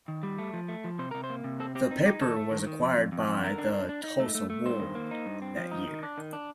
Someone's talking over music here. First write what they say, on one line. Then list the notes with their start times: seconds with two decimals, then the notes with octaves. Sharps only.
The paper was acquired by the "Tulsa World" that year.
0.08 D#3
0.23 G3
0.38 A3
0.54 F3
0.68 A3
0.84 F3
0.99 C3 C5
1.11 C3 A#4
1.24 C5
1.30 A#3
1.44 C3
1.60 C4 A4
1.75 C4 G4
1.91 D#4
2.06 D#4 G4
2.21 D#3 A4
2.37 A3
2.51 D#3
2.67 D#3
2.82 F2
2.97 F2
3.12 F2
3.27 F2
3.43 D3 A#4
3.58 D4
3.74 D4
3.89 D4
4.04 D#4
4.20 A3
4.35 A3
4.50 A3
4.66 G2 C5
4.80 D#3
4.95 A#3
5.11 D#4
5.26 G2
5.42 C4
5.57 F3
5.71 D#4
5.87 D#3
6.03 D4
6.18 D#3
6.33 D4